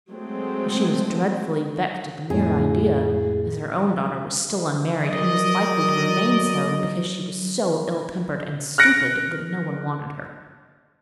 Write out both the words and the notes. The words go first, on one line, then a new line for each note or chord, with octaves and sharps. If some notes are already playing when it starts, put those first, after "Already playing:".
But she was dreadfully vexed at the mere idea, as her own daughter was still unmarried, and was likely to remain so, because she was so ill-tempered and stupid that no one wanted her.
F#3 G#3 A3 C4
F2 A2 G#4
F#3 A#4 D5 D#5
F6 F#6 A#6 C#7 D7